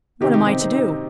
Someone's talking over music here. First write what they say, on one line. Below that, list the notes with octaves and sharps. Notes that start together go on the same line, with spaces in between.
"What am I to do?"
C3 D#3 D#4 G4
D#4 G4
C4 D#4
C4 D#4
C4 D#4